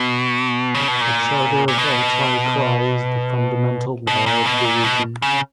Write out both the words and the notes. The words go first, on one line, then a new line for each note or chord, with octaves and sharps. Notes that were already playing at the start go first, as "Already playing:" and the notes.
The Charter of Altai Krai is the fundamental law of the region.
Already playing: B2
C#3
B2
A#2
A#2
B2
B2
A#2
B2
A#2
B2
C#3